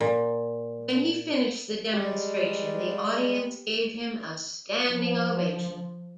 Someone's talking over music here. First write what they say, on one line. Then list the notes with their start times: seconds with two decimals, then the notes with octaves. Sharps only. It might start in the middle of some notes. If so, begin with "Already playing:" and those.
When he finished the demonstration, the audience gave him a standing ovation.
0.01 A#2
1.94 G3 G#3 G4
4.87 F3